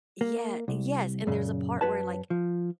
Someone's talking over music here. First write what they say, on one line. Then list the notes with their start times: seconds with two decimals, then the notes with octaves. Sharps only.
Yeah, yes, and there's a part where, like,
0.21 A#3
0.68 C2
1.27 F#2 A#2 C#3
1.81 F#2 F#4 B4 C#5 A5
2.30 F3